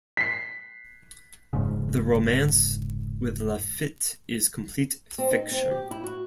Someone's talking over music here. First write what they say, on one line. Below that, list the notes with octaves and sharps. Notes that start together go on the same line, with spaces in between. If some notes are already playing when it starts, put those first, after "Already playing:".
The romance with Lafitte is complete fiction.
B6 C7
F1 G#2 C#3
C4
D#4
C4
G4
E4
F#4